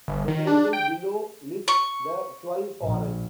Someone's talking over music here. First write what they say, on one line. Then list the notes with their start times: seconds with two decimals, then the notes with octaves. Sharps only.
The table below lists the twelve forests.
0.08 G1
0.28 D#3
0.47 D4
0.73 G5
1.68 C#6
2.83 A#1